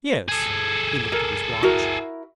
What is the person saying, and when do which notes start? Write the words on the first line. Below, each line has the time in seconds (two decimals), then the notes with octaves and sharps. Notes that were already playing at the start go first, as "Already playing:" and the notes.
"Yes!" He looked at his watch.
0.29 G#4 A4
1.12 A#4
1.62 E4 F#4 A#4